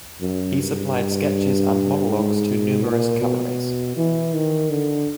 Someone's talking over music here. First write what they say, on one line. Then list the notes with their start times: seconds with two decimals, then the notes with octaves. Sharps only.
He supplied sketches and monologues to numerous cabarets.
0.21 F#2
0.59 G2
2.09 G#2
2.84 A#2
3.20 B2
3.97 E3
4.33 D#3
4.70 D3